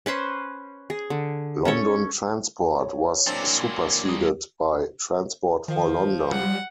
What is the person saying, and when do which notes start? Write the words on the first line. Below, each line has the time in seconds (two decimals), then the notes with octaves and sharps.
London Transport was superseded by Transport for London.
0.06 C#4 B4 C5 C6
0.90 G#4
1.10 D3
1.65 C#4 A4 C#5
2.80 C#5
3.27 E3 F#3 A#3 C4 D4 A6
4.05 G3 G#3 A#3 D#6
5.68 D#3 F3
6.32 G3 F#5